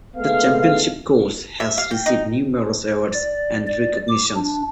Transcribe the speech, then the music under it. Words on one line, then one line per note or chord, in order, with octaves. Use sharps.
The championship course has received numerous awards and recognitions.
G#3 A3 B3 F5
E5
F5
G5
D#4
D5
D5
D6
D4